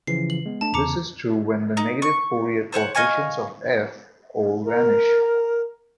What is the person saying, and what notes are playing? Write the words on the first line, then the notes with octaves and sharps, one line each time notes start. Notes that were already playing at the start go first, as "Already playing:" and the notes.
This is true when the negative Fourier coefficients of "f" all vanish.
C#3 E3 F3 C7
F#7
G#3 B3
A3 D4 A5
E2 C#3 A#5 D6 C#7
D#4
C#6
A4 C5 C#5 F#5
D#5 F5 G#5 C#6
A#4